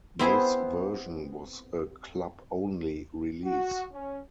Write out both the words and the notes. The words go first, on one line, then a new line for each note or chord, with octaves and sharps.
This version was a club-only release.
B3 C4 E4 G#4 C5
F#4
C#4